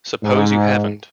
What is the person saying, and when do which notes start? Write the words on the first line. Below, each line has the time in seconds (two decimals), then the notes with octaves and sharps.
Suppose you haven't?
0.23 G#2